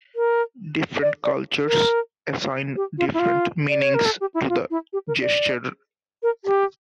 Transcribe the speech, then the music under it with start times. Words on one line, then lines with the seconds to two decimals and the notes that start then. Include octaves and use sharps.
Different cultures assign different meanings to the gesture.
0.16 A#4
1.02 D5
1.24 D5
1.67 A#4
2.76 G4
2.98 F4
3.14 E4
3.19 F4
3.69 D5
3.81 C#5
3.94 A#4
4.05 A4
4.21 G4
4.34 E4
4.49 F4
4.70 E4
4.93 G4
5.08 A#4
5.22 D5
6.23 A#4
6.45 G4